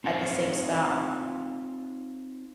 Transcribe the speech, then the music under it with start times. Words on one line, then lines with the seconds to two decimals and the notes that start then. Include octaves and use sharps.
at the same stop,
0.04 C4 D#4 F4 G4 C5 C#5